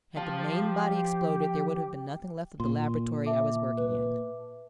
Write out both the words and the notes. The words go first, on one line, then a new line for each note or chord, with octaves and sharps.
Had the main body exploded there would have been nothing left of the laboratory I was working in.
F3 G4 F5 A5
A#2 C6
E5 A5 D6
B4